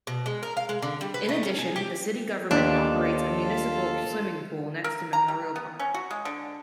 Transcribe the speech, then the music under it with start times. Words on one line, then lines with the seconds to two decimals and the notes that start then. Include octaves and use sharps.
In addition, the city government operates a municipal swimming pool next to Memorial Park.
0.07 B2
0.26 G#3
0.43 A#4
0.57 F5
0.69 G#3
0.82 D3
1.01 G3
1.14 B4
1.29 A3
1.43 C#4
1.59 G#4
1.76 G4
2.51 D#2 B3 D4 F4 A4
2.99 F4 A4
4.84 A#4
5.13 A#5
5.28 G3
5.56 B3
5.79 C#4
5.94 F#4
6.11 G#3
6.25 D3